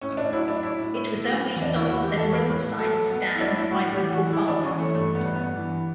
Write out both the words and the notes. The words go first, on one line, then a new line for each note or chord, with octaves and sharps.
It was only sold at roadside stands by local farmers.
A2 C#4
D4
F#3 E4
D4
A2 E4
A2
F#3
E2
D4
E4
E2 F#4
G4
E2 A4
C#5
B4
A2 B4
F#3 A4
F#3 B3
E4
F#3 D4
E4
A2 F#4
G4
E3
F#4
E3 E4
D4
E3 C#4
A3
G2 A3
B3
G2
B3
E3